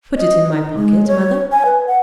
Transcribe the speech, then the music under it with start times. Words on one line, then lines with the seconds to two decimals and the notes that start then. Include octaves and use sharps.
'Put it in my pocket, Mother.'
0.16 D#5
0.52 D#4
0.76 G#3
1.08 C#5
1.52 G#5
1.65 B4
1.87 F#5